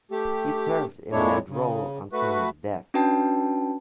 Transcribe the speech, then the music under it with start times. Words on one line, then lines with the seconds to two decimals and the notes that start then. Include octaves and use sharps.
He served in that role until his death.
0.11 A3 G4
1.12 F2 A#2 G#3 D4 E4 C#5
1.49 C#3
2.13 A3 F#4 B4
2.94 C#4 D4 F#4 B4 G5 A5